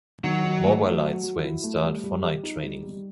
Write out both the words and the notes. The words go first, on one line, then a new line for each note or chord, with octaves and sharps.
Mobile lights were installed for night training.
D#3 F#3
D#4
A3
F#3
F#3
F#3
E4
A3
G3
G3
G4
D#4
G3
G3